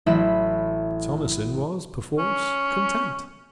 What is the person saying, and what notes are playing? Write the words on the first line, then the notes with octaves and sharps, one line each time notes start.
Thomasin was perforce content.
A1 F#3 E4 E5 B6
C#4